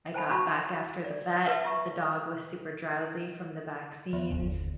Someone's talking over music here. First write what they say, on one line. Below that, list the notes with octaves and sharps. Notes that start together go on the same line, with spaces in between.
I got back after the vet, the dog was super drowsy from the vaccines
C5 G#5 A5 B5
F4 F#4 A5 B5 C#6
D5
B4 E5 A5
F4 E5 C#6
E2
F#1 D#2 D3